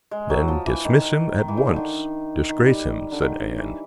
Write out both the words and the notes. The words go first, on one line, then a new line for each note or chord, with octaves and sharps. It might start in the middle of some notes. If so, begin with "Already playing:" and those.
"Then dismiss him at once, disgrace him," said Anne.
G#3
F#3
F3
E3
D#3
D#3
E3
D#3
D3
D#3
D#3
G3
D3
D#3
E3